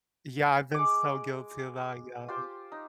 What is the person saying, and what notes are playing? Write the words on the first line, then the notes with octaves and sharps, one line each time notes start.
Yeah, I've been so guilty about that, yeah.
G#3 D6
F4 G4 C5
D#4